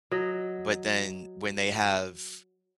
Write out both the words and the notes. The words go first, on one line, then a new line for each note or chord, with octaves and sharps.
but then, when they have
F#3 D#5